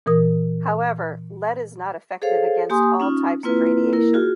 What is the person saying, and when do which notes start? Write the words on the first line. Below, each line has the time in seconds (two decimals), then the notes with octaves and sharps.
However, lead is not effective against all types of radiation.
0.06 A#2 E3 A#4 D#6
2.22 G#4 A4 C5 C#5 F5
2.69 A#3 G4 G#5 C6 D#6
3.00 C#4 D#4 F4
3.43 A#3 C4 E4 F4 B4
3.93 A#3 E4 A#4
4.13 F4 F#4 G#4